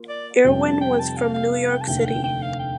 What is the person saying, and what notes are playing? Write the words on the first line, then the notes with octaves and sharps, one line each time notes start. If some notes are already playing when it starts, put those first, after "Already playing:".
Irwin was from New York City.
Already playing: A#3 F4
D5
F1 F2 C3 G3 G5
A5
G5
A5
F5
F5
F5
G5
A5
F1 D#2 D3 A3 G5
F5
G5
G5
F5
G5